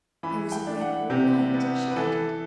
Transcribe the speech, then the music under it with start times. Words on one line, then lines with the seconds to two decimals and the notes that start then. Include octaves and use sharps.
"I was awake all night," she added.
0.23 E3 B5
0.52 G5
0.67 D4
0.81 F#5
1.10 C3 G4
1.54 B3
1.91 B4
1.96 E3 A4